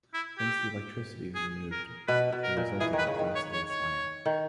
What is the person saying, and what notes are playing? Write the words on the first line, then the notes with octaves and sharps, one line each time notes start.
Once the electricity is removed, the result is a Class A fire.
E4
G4
G#4
A#4
B2 B4
B2
A#4
A#2
E3 G#4
D#3
B4
C#3
D#3
C#5
C#5
C#5
D#3